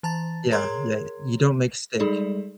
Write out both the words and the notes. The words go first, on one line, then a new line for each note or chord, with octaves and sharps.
Yeah, yeah, you don't make steak.
E3 A5 A#5 A6
G#4 A#4 C#5 A#5 C6 G#6
G3 G#3 D#4 G#4 A4 D5